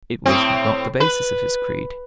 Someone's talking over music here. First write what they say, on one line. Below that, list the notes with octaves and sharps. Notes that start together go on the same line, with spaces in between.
It was not the basis of his creed.
A2 C4
B4